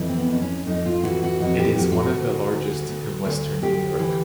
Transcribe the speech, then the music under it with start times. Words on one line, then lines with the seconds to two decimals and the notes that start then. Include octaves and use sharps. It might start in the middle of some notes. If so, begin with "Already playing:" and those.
It is one of the largest in Western New York.
Already playing: F2 E3
0.09 C4
0.18 B3
0.30 F2
0.42 C#4
0.67 F2 D#4
0.86 F4
1.03 E3 F#4
1.23 F#4
1.40 F2 F#4
1.59 G4
1.78 F2 F#4
1.92 F4
1.96 F#4
2.14 D2
2.52 D2
2.89 D2
3.25 D2
3.62 D2 G4
3.99 E3